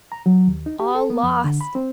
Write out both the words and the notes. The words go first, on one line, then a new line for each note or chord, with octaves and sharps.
"All lost!"
A#5
F#3
D#2
D#4
G4
A4
B3
F2
D3
B5
C4